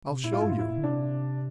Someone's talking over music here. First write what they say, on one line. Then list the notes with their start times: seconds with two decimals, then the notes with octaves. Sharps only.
I'll show you.
0.09 C3
0.24 A#2 E4
0.33 A2 F4
0.41 G2 E4
0.50 F4
0.54 A2
0.59 E4
0.69 A#2
0.78 D3
0.84 C3 D4